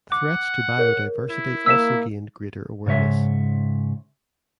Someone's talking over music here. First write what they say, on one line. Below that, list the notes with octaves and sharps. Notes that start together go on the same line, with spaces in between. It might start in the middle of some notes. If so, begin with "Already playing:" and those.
Threats to biodiversity also gained greater awareness.
F#5 D6
G#4 A#4 C#5
E4
A#3 E6 B6 E7
G#2 C#3 C#5 E5